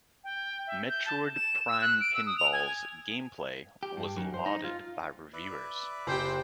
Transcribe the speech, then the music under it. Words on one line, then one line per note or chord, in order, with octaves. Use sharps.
"Metroid Prime Pinball"s gameplay was lauded by reviewers.
G5
E5
G6
A5
E7
E6
F#6
D7
E6
D#6
F7
G#5
G4
G2
F#2
C5
D#4
F4
B4 D5 E5
F#1 G4 C5 G5